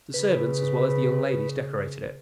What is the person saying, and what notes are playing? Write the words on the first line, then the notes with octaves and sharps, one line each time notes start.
The servants, as well as the young ladies, decorated it.
C#3 B4